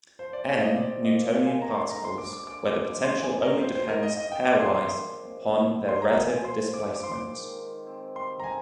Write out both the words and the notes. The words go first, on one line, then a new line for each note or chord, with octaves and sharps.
"N" Newtonian particles where the potential only depends pairwise upon the relative displacement.
F3 C5
D5
C3 F5
D#5
C3 D5
A#3 D#5
G#3 F5
G#5
D3 A#5
C6
D3 A#5
C6
D4 D6
D6
G#3 D6
D6
F3
F3 C6
G#5
C4
A#4
G3 C5
C5
G#2 A#4
D#5
D4 D#5
G5
A#3 D6
C6
G#3 C6
F3
F4
C4
A#3 C6
A#5
F3 G#5
G#5
F3 C6
F4 D6
D6
G#3 C6
D6
D#3
D#3
C4
G3 C6
A#5
D3 G#5